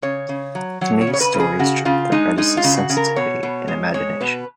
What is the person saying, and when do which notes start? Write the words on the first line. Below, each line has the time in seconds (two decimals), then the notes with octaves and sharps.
The news story struck the writer's sensitivity and imagination.
0.02 C#3 C#5
0.29 C#3
0.55 F#3
0.81 F#3 C#5
1.01 C#5
1.07 C#3
1.13 C#5
1.21 B4
1.34 C#3
1.40 G#4
1.59 C#3 F#4
1.85 C#3 F4
2.12 G#3 D#4
2.38 G#3 D#4
2.57 F4
2.64 C#3
2.77 F#4
2.90 C#3
2.97 A#4
3.16 B2 C#5
3.43 B2
3.68 G#3
3.94 G#3 C#5
4.21 B2 B4